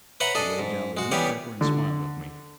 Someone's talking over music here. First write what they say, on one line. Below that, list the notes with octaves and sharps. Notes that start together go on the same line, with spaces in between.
He laid down the newspaper and smiled at me.
B4 C#5 E5 F#5 A#5 C6
D4 G#4 A4 D#5
G#2
G#3 F#4
E3 G3 B3 G4 G#4 C#5
D3